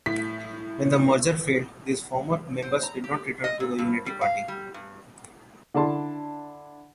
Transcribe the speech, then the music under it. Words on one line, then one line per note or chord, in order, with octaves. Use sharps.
When the merger failed, these former members did not return to the Unity party.
A2 B6
C5
A#5
G4
D#5
A#2
G2
G3
F5
G3
G2
D3 D4 E4 A5 C6